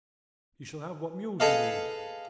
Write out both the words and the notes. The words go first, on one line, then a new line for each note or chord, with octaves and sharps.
You shall have what mules you need.
G#4 A4 B4 D#5 F5